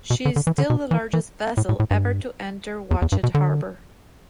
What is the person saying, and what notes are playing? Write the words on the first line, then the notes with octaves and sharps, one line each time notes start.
She is still the largest vessel ever to enter Watchet harbour.
B2
D3
D3
E3
D3
B2
E3
E3
A2
A2
A2
G2
E2
E2
G2
B2
D3